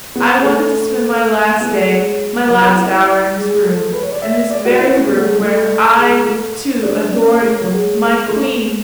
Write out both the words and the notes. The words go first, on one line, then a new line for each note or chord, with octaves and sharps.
I wanted to spend my last day, my last hour in this room, in this very room ... where I, too, adored ... my queen....
B3
B3
A3
B3
A3
G#3
F#3
F#3
E4
G#4
G#4
A4
B4
C#5
D5
E5
D5
F#4
E4
C#4
B3
A3
G#3
A3
G#3
A3
D4
C#4
A3
F#3
G#3
A3